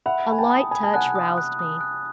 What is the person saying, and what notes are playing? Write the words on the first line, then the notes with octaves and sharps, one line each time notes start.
A light touch roused me.
E5 F#5 B5
G#5 B5
G5 A5
D#6
G#5 B5
A5
F#5 G#5 F#6
D#6
F#6
D#6
F#6